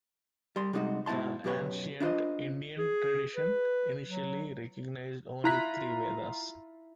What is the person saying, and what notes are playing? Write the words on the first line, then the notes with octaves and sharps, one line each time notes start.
The ancient Indian tradition initially recognized only three Vedas.
G3 C6
C3 G3 G#3 D#4 F4 F#4
G#2 B2 E4 A5 C6
F#2 B2 G4 B4 C#5
D4 E4 F4 C5 D#5
G#4
B4
F#3
E4 F4 A#5 F#6 B6